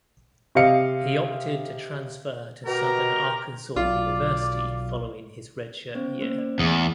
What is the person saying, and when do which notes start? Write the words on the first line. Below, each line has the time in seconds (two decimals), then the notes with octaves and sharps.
He opted to transfer to Southern Arkansas University following his redshirt year.
0.55 C3 D#5 F5 C#7
2.66 B2 G4 A#4 A#5
3.76 B1 F4 D5
5.95 B3 C#4 C5
6.21 A#3 C#4 C5
6.38 D5
6.59 E2 A3 G#4 D6